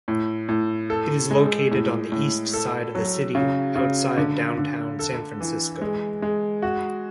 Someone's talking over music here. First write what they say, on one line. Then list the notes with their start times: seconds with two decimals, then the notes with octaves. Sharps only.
It is located on the east side of the city, outside Downtown San Francisco.
0.08 A2
0.49 A2
0.90 A4
1.31 G#3
1.71 A2
2.12 A2
2.54 A4
2.95 F#3
3.35 C#3
3.76 C#3
4.17 D3
4.58 D3
4.99 A4
5.41 E3
5.81 G#3
6.22 G#3
6.62 F#4